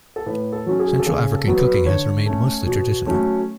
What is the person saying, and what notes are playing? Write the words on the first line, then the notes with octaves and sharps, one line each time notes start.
Central African cooking has remained mostly traditional.
A4
A2 B4
A4
F#3 C#4
G#4
A4
C#3 G#4
A4
F#3 B3
B4
D3 C#5
A3 C#4
B2
F#3 A3 C#4